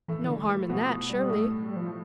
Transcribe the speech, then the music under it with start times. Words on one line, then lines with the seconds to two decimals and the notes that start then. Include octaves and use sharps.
"No harm in that, surely."
0.08 A2 E3 A3
0.24 E3
0.29 D3
0.49 E3
0.69 B2 F3 B3
0.90 F3
1.09 G3
1.29 A2 A3
1.62 G3
1.76 F3